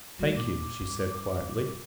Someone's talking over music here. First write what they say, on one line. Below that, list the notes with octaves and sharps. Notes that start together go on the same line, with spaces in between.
"Thank you," she said quietly.
G3 A3 F#4
A#2 D6
G2